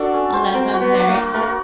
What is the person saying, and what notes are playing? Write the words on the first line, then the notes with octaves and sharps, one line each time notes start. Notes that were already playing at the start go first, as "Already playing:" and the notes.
unless necessary,
Already playing: D4 F#4 A4
C#4
C5
C4 A#4
F#4
B3
D4
A#3
F#4
A3 A#4
A#3